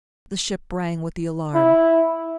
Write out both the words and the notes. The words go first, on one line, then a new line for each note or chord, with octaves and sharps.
The ship rang with the alarm.
E4